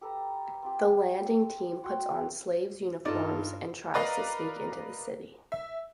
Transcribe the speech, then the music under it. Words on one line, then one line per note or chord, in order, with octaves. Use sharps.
The landing team puts on slaves' uniforms and tries to sneak into the city.
G4 A4 B4 A#5
C4 F4 G4
F#4 G5 C6
G2 D#4 F4 A4 D5
A#4 B4 D5 D#5 F5 A#5
E5